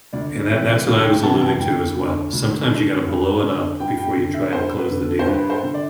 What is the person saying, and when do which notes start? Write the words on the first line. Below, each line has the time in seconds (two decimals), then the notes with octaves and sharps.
And that that's what I was alluding to as well. Sometimes you gotta blow it up before you try to close the deal
0.13 D2 D5
0.50 C3 E3 E5
0.86 D2 F5
1.04 G5
1.22 C3 E3 A5
1.42 A5
1.59 D2 G5
1.96 D3
2.33 D2
2.69 D3
3.07 G2
3.43 D3
3.80 G2 G5
3.97 G5
4.16 D3
4.34 E5
4.52 G2 C5
4.77 B4
4.89 D3
5.01 A4
5.19 C5
5.25 G2 B4
5.50 C5
5.63 D3
5.74 D5